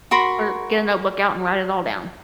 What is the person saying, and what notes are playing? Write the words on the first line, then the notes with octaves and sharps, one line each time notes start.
or get a notebook out and write it all down.
F#4 A#4 B5 C6